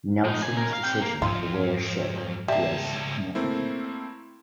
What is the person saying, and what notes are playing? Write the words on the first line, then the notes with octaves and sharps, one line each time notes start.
Nelson's decision to wear ship was significant.
F3 D#4
A#3 G#5
C#2 A#4
F5
C3 G5
A#3
F2 G#2 F4
C#2 G3 A#3 E5 A5
A3 A#3 C4 E4